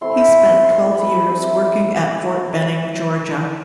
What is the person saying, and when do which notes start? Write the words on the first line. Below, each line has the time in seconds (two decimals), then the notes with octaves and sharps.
He spent twelve years working at Fort Benning, Georgia.
0.01 A3 C4 E4 C6
0.64 C6
0.94 B5
1.26 G3 C4 E4